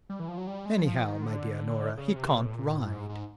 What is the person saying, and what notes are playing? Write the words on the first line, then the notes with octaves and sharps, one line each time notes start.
"Anyhow, my dear Norah, he can't ride."
G3
E3
F3
F#3
G3
G#3
F#3
F3
D#3
D3
C#3
C3
B2
A2
A#2
A2
G#2
G#2